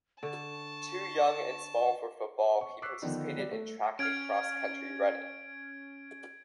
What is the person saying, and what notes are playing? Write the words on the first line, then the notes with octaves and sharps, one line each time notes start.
Too young and small for football, he participated in track and cross country running.
D3 A5 C#6
C#6
C#6 D6 E6 F#6 B6 C7
D3 D#3 F3 B3 D4 D#4
G3 D5
A3
C#4 F6 G#6 D7